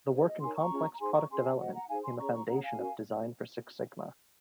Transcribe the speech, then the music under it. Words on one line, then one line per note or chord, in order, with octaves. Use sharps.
The work in complex product development became a foundation of "Design For Six Sigma".
D#4 G#4 C5 C#5
D#5
D#4 A#4 C#5 G#5 C6
A#5 C#6
C#4 F4 G#4 C#5
A#5
D#4 G#4 C5 G#5 C6
A#5 C#6
C#4 G#4 C#5 G#5 C6
F#4 C5 D#5 F#5
F#5 A#5
D#4 G#4 C5 F5 G#5
G#5 C6
C#4 G#4 C#5 A#5 C#6
A#5 C#6
C#4 G#4 C#5 F#5 A#5
F5 G#5
C#4 F#4 A#4